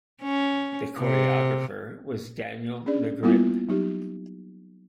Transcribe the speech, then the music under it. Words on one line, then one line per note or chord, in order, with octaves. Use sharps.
The choreographer was Daniel Nagrin.
C#4
C3
C#4 D4 G#4 D5
G3 A#3 B3 E4 F4
F#3 D#4 G4